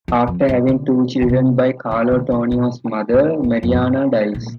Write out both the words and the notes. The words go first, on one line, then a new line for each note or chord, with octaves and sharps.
After having two children by Carlo, Tonio's mother, Marianna, dies.
E2
F2
G2
D3
D3
C3
D3
D3
D3
A#2
A2
A2
F2
G2
A#2